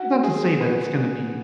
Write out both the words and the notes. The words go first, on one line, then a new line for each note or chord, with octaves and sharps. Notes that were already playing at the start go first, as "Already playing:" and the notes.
Not to say that it's gonna be
Already playing: F#4
G#4
B4